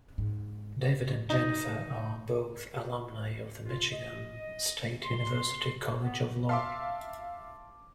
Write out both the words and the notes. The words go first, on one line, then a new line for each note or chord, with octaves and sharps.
David and Jennifer are both alumni of the Michigan State University College of Law.
G#2
D#4 D#5
F4
D#5
C6
B3
E5 F5 A5 C6 D6